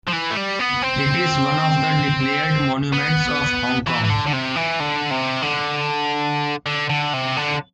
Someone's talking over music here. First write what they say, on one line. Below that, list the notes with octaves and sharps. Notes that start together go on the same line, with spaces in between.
It is one of the declared monuments of Hong Kong.
F3
E3
A3
G3
B3
C4
B3
E3
E3
D3
D3
C3
E3
D3
C3
D3
D3
D3
C3
D3